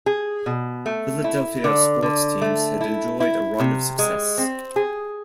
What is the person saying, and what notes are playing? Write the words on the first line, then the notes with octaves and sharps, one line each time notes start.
Philadelphia sports teams had enjoyed a run of success.
G#4
B2
A3
E4
D3
D3
A3
E4
E4
C3
G#3
C4
G#4